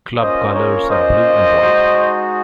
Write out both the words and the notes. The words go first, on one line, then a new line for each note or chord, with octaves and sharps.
Club colours are blue and white.
A#3 C#4 F4 C5 D#5
A#4 C#5
C5 D#5
G#3 D#4 F#4